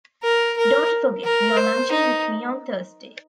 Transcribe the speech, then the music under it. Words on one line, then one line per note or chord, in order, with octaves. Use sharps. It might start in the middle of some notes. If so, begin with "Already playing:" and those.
Don't forget, you're lunching with me on Thursday.
A#4
A#4
A#4
C5
D#4